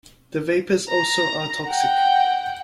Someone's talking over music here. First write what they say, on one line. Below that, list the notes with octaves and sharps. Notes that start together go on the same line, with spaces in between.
The vapors also are toxic.
A#5
F#5 G5